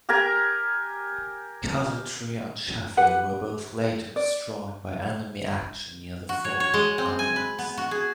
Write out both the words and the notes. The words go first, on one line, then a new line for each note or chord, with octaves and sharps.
"Coventry" and "Sheffield" were both later destroyed by enemy action near the Falkland Islands.
G4 A#4 G#5 A#5
G4 B4 F#5
D5
F#4
C#5
C#5
G#3
C4
G#5
B4
B3
F#4
G#4